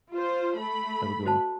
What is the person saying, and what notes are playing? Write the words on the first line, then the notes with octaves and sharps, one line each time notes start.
Have a good one.
F4 C5
A3 B5
F#4 C5 A5